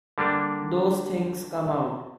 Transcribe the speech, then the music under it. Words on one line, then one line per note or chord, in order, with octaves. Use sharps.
Those things come out.
D3 G3 A#3 D4